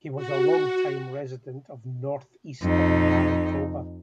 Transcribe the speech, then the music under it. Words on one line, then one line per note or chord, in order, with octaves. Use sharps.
He was a long-time resident of northeastern Manitoba.
F#4
F2 D#4